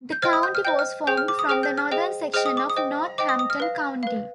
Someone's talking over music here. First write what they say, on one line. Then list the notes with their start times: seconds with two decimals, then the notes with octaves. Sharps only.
The county was formed from the northern section of Northampton County.
0.12 G6
0.22 C5 D#5 G5 F6
0.33 D#6
0.43 G6
0.55 F6
0.65 C5 D#5 G5 G6
0.79 F6
1.07 G#4 C5 G5 G6
1.17 F6
1.28 D6
1.39 D#6
1.49 G#4 C5 G5 F6
1.63 G6
1.77 F6
1.91 G#4 C5 D#5 G5
2.34 G#4 C5 D#5 G5 F6
2.46 D#6
2.57 D6
2.70 D#6
2.76 C5 D#5 G5
3.18 C5 D#5 G5 D6
3.29 D#6
3.39 D#6
3.50 F6
3.60 B4 F5
4.03 B4 F5